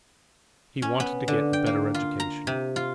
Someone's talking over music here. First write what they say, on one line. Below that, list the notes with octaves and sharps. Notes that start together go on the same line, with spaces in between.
He wanted to get a better education.
C#4
B3
D3
G5
A#3
F4
A#5
C3
F4